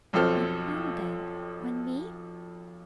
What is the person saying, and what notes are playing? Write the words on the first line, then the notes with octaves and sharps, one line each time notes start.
"On whom, then!--on me?"
B1 F2 C4 A4 F6